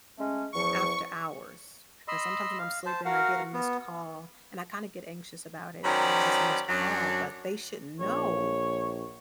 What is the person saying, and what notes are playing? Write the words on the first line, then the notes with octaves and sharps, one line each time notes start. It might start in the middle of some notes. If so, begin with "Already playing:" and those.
after hours? Because sometimes when I'm sleeping, I get a missed call, and I kinda get anxious about it because it's a missed call, but they should know
G#3 A3 C#4
E2 F3 C#6
D#5 B5 C6 E6
F5
C5 A5
F#4 A#4 F5 F#5
B3
D#3 F#3 C#4 C5 D5 B5
F#2 F#3 D4
A#1 C#5